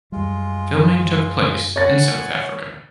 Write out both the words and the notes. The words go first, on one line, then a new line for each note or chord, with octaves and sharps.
Filming took place in South Africa.
F#2 G3 G#3 F4
C#5 F#5 G#5 A6